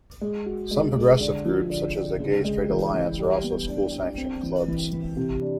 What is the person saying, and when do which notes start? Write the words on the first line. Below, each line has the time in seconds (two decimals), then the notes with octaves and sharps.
Some progressive groups such as the Gay Straight Alliance are also school sanctioned clubs.
0.21 G#3
0.46 F#4
0.71 G#3
0.96 G#3
1.20 D3
1.45 F3
1.70 D3
1.95 D3
2.20 C#3
2.44 G#3
2.69 E3
2.94 E3
3.19 G3
3.44 B3
3.68 D4
3.93 D4
4.18 C4
4.43 E3
4.68 E3
4.93 E3
5.17 C3
5.42 D4